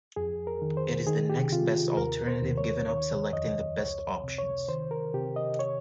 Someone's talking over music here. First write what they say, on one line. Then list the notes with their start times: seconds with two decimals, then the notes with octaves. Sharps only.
It is the "next best" alternative given up selecting the best option.
0.16 F2 G#4
0.47 A#4
0.62 D#3
0.77 C5
1.07 D#3 G#4
1.30 G4
1.52 C3 F4
1.97 D#2 A#4
2.27 C5
2.43 D#2
2.58 C#5
2.88 D#3 C#5
3.33 F2 D#5
3.78 C#2 C#5
4.24 C3
4.38 C#5
4.68 D#3 C5
4.91 A#4
5.14 C3 G4
5.36 D#5
5.59 C#5